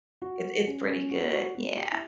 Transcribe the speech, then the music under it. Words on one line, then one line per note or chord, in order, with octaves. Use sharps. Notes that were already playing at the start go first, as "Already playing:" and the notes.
it's it's pretty good. Yeah,
F#4
C#4
C#4
F#4
F#4
F#4
G4
E4